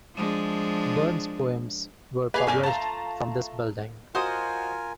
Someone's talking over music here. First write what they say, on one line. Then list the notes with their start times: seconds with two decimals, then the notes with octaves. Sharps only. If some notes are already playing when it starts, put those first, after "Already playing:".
Burn's poems were published from this building.
0.15 F3 G#3 D4
2.34 A#3 G#4 B4 F5
2.47 G1 A4 A#4 D5 G#5
2.63 A3 F4 A5 A#5
4.15 F4 F#4 A#4 C5 D#5 G#5 D#6